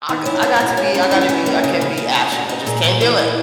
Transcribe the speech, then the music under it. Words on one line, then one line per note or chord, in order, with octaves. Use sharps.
I g I got to be I gotta be I can't be ashy. I just can't do it.
D#3
C#4 E4
A#3
D#4
B2 E4
C#4
C#4 D#4
E4
E3 D#4
F#4
C#4 E4
A#3
C#3
C#3
C#3
C#3
A#2 F#4
D#4
A#2 G#4
A#2
E3
E3